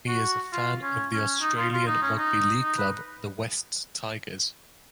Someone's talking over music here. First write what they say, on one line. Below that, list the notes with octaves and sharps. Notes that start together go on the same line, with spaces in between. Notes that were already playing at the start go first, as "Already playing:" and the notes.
He is a fan of the Australian rugby league club the Wests Tigers.
F#4
F4
C#4
C#4
D#4
F4
F4
D#4
C#4
D#4
D#4
B4